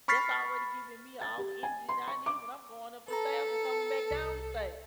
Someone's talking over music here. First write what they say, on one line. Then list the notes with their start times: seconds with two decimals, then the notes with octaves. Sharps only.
That's already giving me all the energy that I need when I'm going up the stairs and coming back down the stairs.
0.08 B5 C#6 F6 A6 B6 C7
1.21 A6
1.38 G4
1.63 G#5
1.89 C6
2.08 C#6
2.26 D6
3.08 A4 B4 A5 A#5
4.11 C2